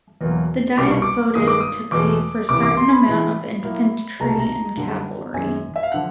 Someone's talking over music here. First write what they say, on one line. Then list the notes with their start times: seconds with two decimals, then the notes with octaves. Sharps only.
The Diet voted to pay for certain amount of infantry and cavalry.
0.21 E2 B2 F#3 A#3
0.78 C2 B2 G3 A#3 D6
0.90 C#6
1.02 D6
1.35 G2 D#3 G#3 D#6
1.48 D6
1.61 D#6
1.92 E2 B2 G#3 D6
2.49 C2 C3 E3 D6
2.63 D6
2.77 C6
2.92 B5
3.06 A2 E3 G#3
3.64 A2 F#3 A#3
4.20 C2 B2 G#3 A#5
4.30 A5
4.39 A#5
4.77 F#2 D3 G3 A#3
5.34 F#2 D#3 G#3 G#5
5.76 E5
5.83 F5
5.92 D3 F3 F#5